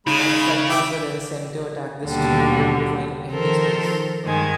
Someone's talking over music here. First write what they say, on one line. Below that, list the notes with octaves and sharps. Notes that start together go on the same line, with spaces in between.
Night fighters were then sent to attack this stream, only to find empty space.
C#3 G#3 D#4 B5
E5 G5 D6
D#2 B2 D3 G3
D#3 F3 A4 A#4 C5
G2 D#3 G#3 G#6